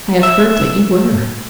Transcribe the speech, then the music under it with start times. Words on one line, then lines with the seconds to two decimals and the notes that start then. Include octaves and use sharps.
I have heard that you were.
0.23 E5